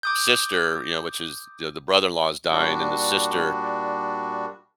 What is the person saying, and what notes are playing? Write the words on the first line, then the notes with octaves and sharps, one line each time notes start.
sister you know, which is the the brother-in-law is dying, and the sister
D6 D#6 G6
A#2 G3 D4 F#4